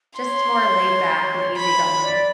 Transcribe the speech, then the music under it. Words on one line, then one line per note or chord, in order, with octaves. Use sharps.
just more laid back and easy-going.
C#5 C6
B5
D5